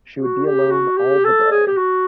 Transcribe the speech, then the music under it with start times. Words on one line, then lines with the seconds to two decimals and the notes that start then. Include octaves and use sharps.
She would be alone all the day.
0.18 F#4
0.45 G4
0.71 F#4
0.97 G4
1.25 A4
1.51 G#4
1.67 G4
1.77 F#4